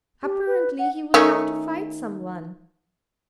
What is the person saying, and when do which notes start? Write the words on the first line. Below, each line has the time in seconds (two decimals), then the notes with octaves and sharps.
Apparently, he would have to fight someone.
0.23 G4
0.47 B4
0.79 F#5
1.14 D#3 A3 C#4